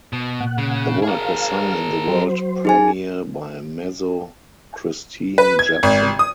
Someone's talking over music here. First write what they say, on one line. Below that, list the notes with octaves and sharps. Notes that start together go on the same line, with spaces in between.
The work was sung in the world premiere by mezzo Kristine Jepson.
B2
A#2 F#5
C#3
G#4 A#4 F5
F#3 C5
D#4 G#4 G#5
B4
G#6
G#1
D#6